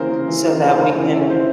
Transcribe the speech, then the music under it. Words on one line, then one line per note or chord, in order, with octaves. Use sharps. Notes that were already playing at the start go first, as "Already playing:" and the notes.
so that we can,
Already playing: C#3 E3 A#3 A#4 C5
C#3
E3
C#3
C#3 A#4
C5
C#3 A#4
E3
E3 E5
C#5
E3 C5